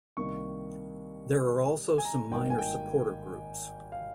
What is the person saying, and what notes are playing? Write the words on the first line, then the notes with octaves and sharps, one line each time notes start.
There are also some minor supporter groups.
C2 C3 D#3 A#3 C#6
G#5
A#5
G#1 G2 D#3 A#3 G5
G#5
G5
F5